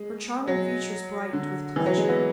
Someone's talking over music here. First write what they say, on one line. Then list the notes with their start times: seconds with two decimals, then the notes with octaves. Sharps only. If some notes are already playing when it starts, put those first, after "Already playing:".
Her charming features brightened with pleasure.
Already playing: G#3
0.47 F#3
1.33 D3
1.76 E3
1.86 F#3
1.98 G#3
2.08 B3